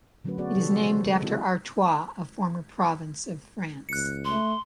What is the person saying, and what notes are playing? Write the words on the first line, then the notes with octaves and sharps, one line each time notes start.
It is named after Artois, a former province of France.
D3 F#3 A3 C#4 F#4 B4
F#3 B3 F#4 G#4 D5
C3 E3 G#3 G4 A4
C#3 G4 C5
E3 G#3 A4 D#5
C#3 C4 E4 F#4
C#2 F#6 C#7
A3 C6